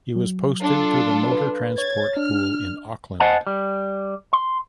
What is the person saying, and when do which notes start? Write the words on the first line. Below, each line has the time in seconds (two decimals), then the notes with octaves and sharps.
He was posted to the Motor Transport Pool in Auckland.
0.15 F#3
0.62 D4 F4 A4
1.31 B4
1.78 C#5 G#6 A6
2.16 D4 F6
3.20 C5 D#5 F#5 G#5 A5
3.47 G3
4.33 C6